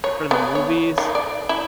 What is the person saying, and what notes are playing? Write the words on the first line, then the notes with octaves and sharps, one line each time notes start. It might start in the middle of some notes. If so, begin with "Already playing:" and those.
eh, for the movies?
C#5
B3
C#5
D#3
D5
E4